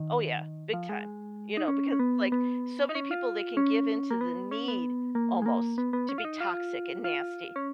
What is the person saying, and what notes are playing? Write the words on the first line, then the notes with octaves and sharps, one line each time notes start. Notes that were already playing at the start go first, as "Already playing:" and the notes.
Oh, yeah. Big time. You know, because it's like, so many people, they can give in to the need almost to be toxic and nasty.
Already playing: D#3
F3
G#3
D#4
C#4
C#4
B3
B3
D#4
C#4
F4
C#4
A#3
B3
C#4
B3
A#3
G#3
A#3
B3
B3
C#4
F4
D#4
F4
F4
C#4